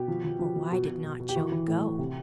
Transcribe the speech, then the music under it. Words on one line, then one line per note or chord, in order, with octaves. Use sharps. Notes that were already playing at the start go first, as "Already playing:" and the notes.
Or why did not Job go?
Already playing: B2 G4
F3
F3
F3
F3
B2
B2
B2
B2
G4
E3 F#4
E3
A2
A2
C3